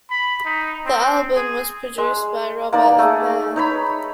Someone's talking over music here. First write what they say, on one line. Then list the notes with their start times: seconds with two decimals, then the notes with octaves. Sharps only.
The album was produced by Robert Appere.
0.10 B5
0.45 D#4
0.86 C4
1.35 G#4
1.98 G#3
2.73 A#3 D#4 D5
2.99 A3 G#4
3.56 D#4 C#5 B5